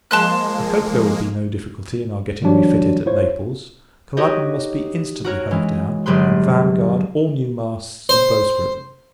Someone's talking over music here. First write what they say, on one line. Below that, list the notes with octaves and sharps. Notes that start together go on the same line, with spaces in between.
I hope there will be no difficulty in our getting refitted at Naples. Culloden must be instantly hove down, and Vanguard all new masts and bowsprit.
F3 G#3 A#3 A5 C6 F#6
D#3 F3 G3 D4 F#4 C#5
E4 F4 C5 C#5
D#4 F#4 G4 C#5 D#5
F#4 A#4 C#5
E3 G#3 C#4
G1 F#3 G4 G#4 B4 C6
C5